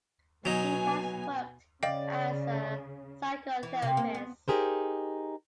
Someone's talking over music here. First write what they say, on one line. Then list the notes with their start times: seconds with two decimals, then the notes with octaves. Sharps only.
He has worked as a psychotherapist.
0.45 B2 F#3 B3 D#4 G#5
1.83 C#3 D5 D#5 F5 G5
3.63 E3
3.82 C3
3.97 A#3
4.15 B3
4.48 D#4 G4 G#4 A#4 C5